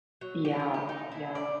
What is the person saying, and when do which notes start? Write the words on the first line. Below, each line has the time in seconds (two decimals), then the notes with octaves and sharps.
Yeah, yeah.
0.21 F#3
0.45 G4
0.59 A#4
0.74 G4
0.89 D#4
1.12 E4
1.35 D5